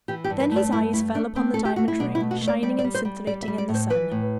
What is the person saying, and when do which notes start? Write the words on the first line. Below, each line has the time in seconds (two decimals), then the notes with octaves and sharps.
Then his eyes fell upon the diamond ring, shining and scintillating in the sun.
0.08 E3 G4
0.24 G4
0.30 G2
0.40 B4
0.51 A3 D5
0.72 G2 E4
0.93 A3 E4
1.14 A3 D4
1.36 A3 C4
1.54 A3 A4
1.65 G4
1.76 A3 F#4
1.88 E4
1.99 B2 D4
2.15 E4
2.20 A3
2.31 F#4
2.42 A3
2.47 D5
2.63 G3 D5
2.79 D5
2.84 G3
2.94 C5
3.05 G3
3.27 G3 D5
3.42 E5
3.48 G3
3.58 D5
3.69 A2
3.74 C5
3.90 E3 B4
4.11 A2